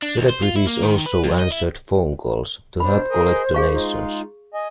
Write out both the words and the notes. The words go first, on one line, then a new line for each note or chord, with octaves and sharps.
Celebrities also answered phone calls to help collect donations.
D4
D#2
C5
F4
E4
A#3
D#3
B4
F2
D#5
E4
B2 D4 C5 B5
G#4 A#4 D#5
G#3 G#4 F5 C#6
G#3 D#4 F4
D#5 G#5